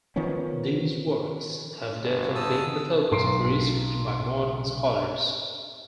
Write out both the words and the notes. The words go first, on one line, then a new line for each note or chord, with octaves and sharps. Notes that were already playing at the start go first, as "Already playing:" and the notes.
These works have therefore been the focus of research by modern scholars.
D#3 F3 B3 C#4
G1
A5 D#6 E6
B1 A#5 C6 C7 D7